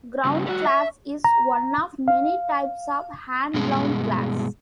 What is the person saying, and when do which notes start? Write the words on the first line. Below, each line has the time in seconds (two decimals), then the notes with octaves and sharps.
Crown glass is one of many types of hand-blown glass.
0.25 G2 C#3
0.46 G3 F#4
0.66 E5
1.25 A#5
2.08 F5
3.54 G2 B2 G#3